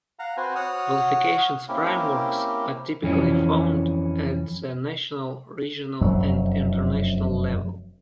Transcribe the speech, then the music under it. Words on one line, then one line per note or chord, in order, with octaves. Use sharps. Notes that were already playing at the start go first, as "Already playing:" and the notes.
Qualifications Frameworks are typically found at the National, Regional, and International level.
F5 F#5 A#5
C4 F#4 B4 C5 G#5
F#4 C#5 F#5 D#6 F6
A#3 C4 C#4 E4 G4 A#4
F2 E3 C#4
F1 F#2 F#3